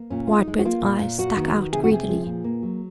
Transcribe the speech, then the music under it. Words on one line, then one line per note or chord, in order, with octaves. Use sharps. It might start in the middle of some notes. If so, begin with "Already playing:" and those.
Whitebird's eyes stuck out greedily.
Already playing: A#3
A#2 C#4
G#3 F4
D#4
G#3
F#4
A#3 F4
A#2
A#2
A#3 F#4
D#3
D#3
C3 G#4
F#4
C3 G#4
F3
A#2
A#3
F#3